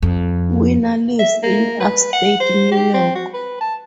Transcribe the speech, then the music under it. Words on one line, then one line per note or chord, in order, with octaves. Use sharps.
Winner lives in upstate New York.
F2
E5
A#3
B4
F#5
C5
G4
C4
F#4
B4
A5